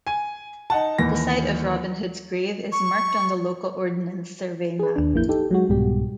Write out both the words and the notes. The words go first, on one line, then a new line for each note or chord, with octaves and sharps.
The site of Robin Hood's Grave is marked on the local Ordnance Survey map.
G#5 D#7
D#4 F#5 A5
D#2 E3 A#6
C#6
G#4 B4
D#2 D4
A1 F2 A#3 E4 G6
D#4 G4 A4
F#3 G#3 F#4
C2 G#2 B2 G3 G4